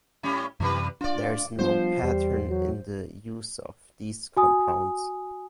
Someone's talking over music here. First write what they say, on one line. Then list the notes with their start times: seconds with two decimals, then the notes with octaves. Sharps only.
There is no pattern in the use of these compounds.
0.23 A2 G3 C#4
0.60 F#2 C3 E3 G3 B4
1.01 D4 F4 D5
1.59 F3 G3 B3 D4 C5
2.03 E2 G3
2.49 F#3
4.37 F#4 G#5 D#6